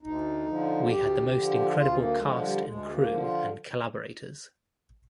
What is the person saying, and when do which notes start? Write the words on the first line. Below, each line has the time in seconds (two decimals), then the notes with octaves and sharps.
We had the most incredible cast and crew and collaborators.
0.02 D2 D#4
0.46 D3 F3
0.89 D2 G4
1.32 D3 F3
1.75 D2 F4
1.97 A#3
2.18 D3 F3 G#3
2.41 G3
2.62 D2 G#3
2.91 A#3
3.05 D3 F3
3.20 F4